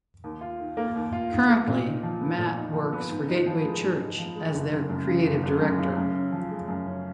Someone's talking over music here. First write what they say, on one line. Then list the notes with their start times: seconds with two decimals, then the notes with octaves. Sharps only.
Currently, Matt works for Gateway Church as their Creative Director.
0.24 D#2
0.41 F4
0.60 D#3
0.77 A#3
0.96 D#2
1.13 F4
1.31 D#3
1.49 A#3
1.67 A#2
1.85 D#4
2.03 F3
2.21 B3
2.39 A#2
2.56 D#4
2.74 F3
2.93 B3
3.10 G#2
3.28 D#4
3.46 F3
3.64 G#3
3.81 G#2
4.00 D#4
4.18 F3
4.35 G#3
4.54 F#1
4.72 F#1
4.89 F#2
5.07 C#3
5.25 F#1
5.43 F#1
5.62 F#2
5.79 C#3
5.97 F#2
6.15 C#4
6.32 F3
6.51 G#3
6.68 F#2
6.87 C#4